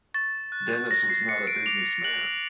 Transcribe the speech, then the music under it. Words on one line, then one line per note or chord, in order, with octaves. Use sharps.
Dennis was not a business man.
C#6 A6
F#6
C#6 A#6
C7
F#6 C#7
D7
D6 F7
F#6 F#7